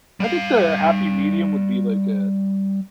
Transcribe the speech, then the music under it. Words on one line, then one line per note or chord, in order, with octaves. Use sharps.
I think the happy medium would be like, uh,
G3 F5